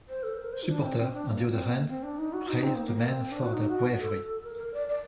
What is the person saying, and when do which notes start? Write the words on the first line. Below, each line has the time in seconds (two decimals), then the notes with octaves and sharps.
Supporters, on the other hand, praised the men for their bravery.
0.09 C5
0.23 A4
0.34 C5
0.38 A#4
0.53 C5
0.63 D#4
0.68 D4
0.84 C4
0.98 C4
1.13 D4
1.28 A#3
1.51 C4
1.73 A#3
1.88 C4
2.03 D4
2.18 D#4
2.33 F#4
2.49 D#4
2.64 C4
2.75 A#3
2.86 A#3
2.97 A#3
3.09 C4
3.31 D4
3.43 F#4
3.53 D#4
3.69 F#4
3.98 A4
4.44 A#4
4.58 A#4
4.74 D5
4.89 D5